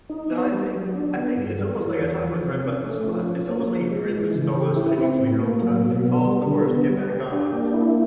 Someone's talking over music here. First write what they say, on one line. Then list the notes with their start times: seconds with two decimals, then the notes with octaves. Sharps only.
No, I think I think it's almost like I talked to my friend about this a lot, It's almost like if you really listen to all those sayings we hear all the time, "If you fall off the horse, get back on",
0.10 D#4
0.31 B3
0.52 G3
0.73 F#3
0.95 D4
1.16 B3
1.37 G2
1.59 G3
1.80 E3
2.01 E2
2.22 F3
2.43 C3
2.65 C#4
2.86 A3
3.07 F3
3.28 C#4
3.49 A#3
3.70 F3
3.91 G#3
4.13 E3
4.34 C#3
4.56 G4
4.76 E4
4.98 C4
5.19 A2
5.41 A#3
5.62 F#3
5.82 B2
6.04 B3
6.25 G3
6.46 D3
6.67 B3
6.90 G3
7.10 G4
7.32 D4
7.52 A#3
7.74 E4